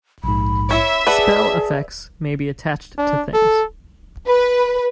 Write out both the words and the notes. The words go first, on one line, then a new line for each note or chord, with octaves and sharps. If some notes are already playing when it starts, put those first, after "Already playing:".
Spell-effects may be attached to Things.
A#1 G#2 B5
E4 C#5 E5
G#4 B4 D5 F#5 A5
D4
A4
B4